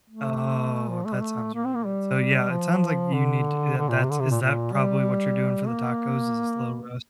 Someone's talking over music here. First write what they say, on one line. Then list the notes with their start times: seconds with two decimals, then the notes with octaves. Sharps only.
Oh, that sounds really good. So, yeah, it sounds like you need, t eh, that that is that probably what you're doing for the tacos is a slow roast?
0.10 A3
0.90 F3
1.06 A3
1.14 G3
1.22 A3
1.54 A#3
1.65 C4
1.75 A#3
1.86 G3
2.50 F3
3.14 D3
3.78 D3
3.89 A#2
4.03 C3
4.10 D3
4.19 C3
4.31 A#2
4.41 A#2
4.73 G3
5.68 A#3